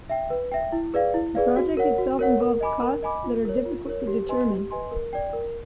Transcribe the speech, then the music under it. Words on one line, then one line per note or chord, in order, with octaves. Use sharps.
The project itself involves costs that are difficult to determine.
E5 G5
B4
E5 G5
E4
G#4 B4 D5 F5
E4
G#4 B4 D5 F5
F#4
A#4 C#5 F#5
F#4
A#4 C#5 F#5
A#4
D#5 G#5 B5 D6
A#4
D#5 G#5 B5 D6
F4
A#4 C#5
F4
A#4 C#5
G4
B4 D#5 G#5 C6
G4
B4 D#5 G#5 C6
A#4
D5 G5
A#4